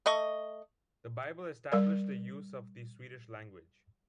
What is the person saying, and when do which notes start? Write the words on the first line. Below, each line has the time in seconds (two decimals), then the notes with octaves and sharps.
The Bible established the use of the Swedish language.
0.06 A3 D#5 C#6
1.72 G3 A#4 D5